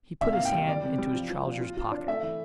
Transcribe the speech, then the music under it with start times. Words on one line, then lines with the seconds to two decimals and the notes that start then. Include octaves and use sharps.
He put his hand into his trousers' pocket.
0.21 C2 E5
0.33 F5
0.37 A#3
0.45 G5
0.52 G3
0.67 E3 D5
0.83 C3
0.98 G3
1.14 F3
1.30 F3
1.46 A#2
1.60 F4
1.77 F4
1.92 D4
2.08 A3 E5
2.23 E3